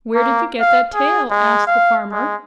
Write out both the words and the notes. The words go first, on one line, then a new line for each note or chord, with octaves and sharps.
"Where did you get that tail?" asked the farmer.
A#3
F5
G#4
G#3
F5
G#3